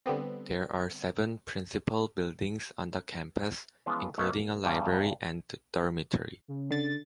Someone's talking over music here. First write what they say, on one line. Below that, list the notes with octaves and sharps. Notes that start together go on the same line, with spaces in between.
There are seven principal buildings on the campus, including a library and dormitory.
D3 G3 B3 C4
E3 F3 G#3 B3 C#4 F4
B1 A3 B3 C#4 C#5 F5
A#3
E2 G2 C#3 G3
C#3
D3 A6